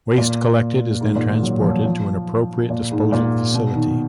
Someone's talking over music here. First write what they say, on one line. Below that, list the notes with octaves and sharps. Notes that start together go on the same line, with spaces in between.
Waste collected is then transported to an appropriate disposal facility.
A#2
G#2
A#2
D#3
F#3
F3
F#3
F3
A#2
G#2
A#2
B2
D#3